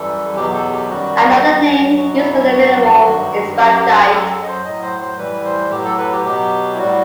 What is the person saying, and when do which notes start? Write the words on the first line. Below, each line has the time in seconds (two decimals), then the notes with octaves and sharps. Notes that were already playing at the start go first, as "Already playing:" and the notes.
Another name used for the mineral is rhabdite.
Already playing: F#2 E3 G3 A4
0.36 E2 B2 F#3 G4
0.54 A4
0.72 G4
0.90 F#2 D#3 G3 F#4
1.44 G2 D#3 F#3
1.97 B2 F#3 F#4
2.14 E4
2.32 E4
2.50 G2 F#3 F#4
3.04 G2 D#3 F#3
3.57 F#2 F#3 G4
4.10 F#2 F#3 A4
4.29 A4
4.41 D#5
4.47 C5
4.65 A2 F#3 D#5
4.82 C5
5.00 C5
5.18 A2 E3 G3 B4
5.45 C5
5.71 A2 F#3 G4
5.85 A4
5.98 B4
6.12 G4
6.25 B2 F#3 G4
6.74 E4
6.78 A2 G3 F#4